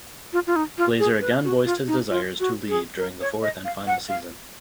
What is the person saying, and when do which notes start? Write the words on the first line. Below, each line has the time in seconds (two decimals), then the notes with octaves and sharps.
Glaser again voiced his desires to leave during the fourth and final season.
0.33 F4
0.47 F4
0.56 D#4
0.78 F4
0.99 G#4
1.21 B4
1.44 F#4
1.66 F4
1.88 D#4
2.10 F4
2.40 F#4
2.69 G#4
2.98 A#4
3.21 C#5
3.42 D#5
3.65 F5
3.87 F#5
4.09 F5